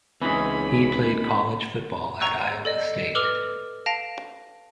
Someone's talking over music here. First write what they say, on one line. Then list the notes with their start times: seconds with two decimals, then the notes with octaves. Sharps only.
He played college football at Iowa State.
0.22 C#2 E3 G#3 C4 C#4 D#4 B5
2.20 A#5 C#6 E6 F#6
2.65 A4 D5 D#5
3.15 A4 B4 D6 E6 F6 F7
3.86 F5 A5 A#6 D7 F7